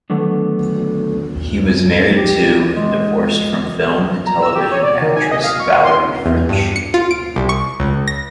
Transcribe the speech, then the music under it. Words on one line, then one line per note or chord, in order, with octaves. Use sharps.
He was married to and divorced from film and television actress Valerie French.
D3 D#3 F#3 A3 B3 D4
F#2
G4
G#3
A#5
E6
G4
C#5
D5
D#3
G#5
D#5
F5
C#6
C6
E2
G2
C#7
F4
D7
C2
C#6
C#2
A#6